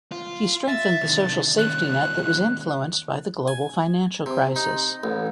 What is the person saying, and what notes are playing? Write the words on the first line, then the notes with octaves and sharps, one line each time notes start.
He strengthened the social safety net that was influenced by the global financial crisis.
F4
E5 A6
C3 D#3
D#2 C#4 F#6
G#5
C3
D#4
A1